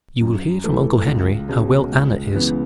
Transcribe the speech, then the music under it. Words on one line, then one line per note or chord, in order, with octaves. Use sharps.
'You will hear from uncle Henry how well Anna is.
F#2
E3 A3
C#2
B2 G#3 C#4
C#2
C#3 E3 B3